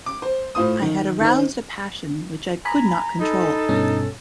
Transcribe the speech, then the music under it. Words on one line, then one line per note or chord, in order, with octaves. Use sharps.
I had aroused a passion which I could not control.
D6
C5
A2 F4 C5 D#6
D#3
D#3 C5
G#5 A#5 B5
D#4 A4
G2 B2 C#4